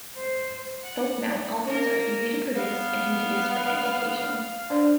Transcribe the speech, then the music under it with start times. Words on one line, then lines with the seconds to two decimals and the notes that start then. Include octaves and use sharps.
Self-mount albums are easy to produce and can be used for any occasion.
0.16 C5
0.83 F#5
1.67 A#3 A#4
2.55 B3 F5
4.70 D4 C5 D5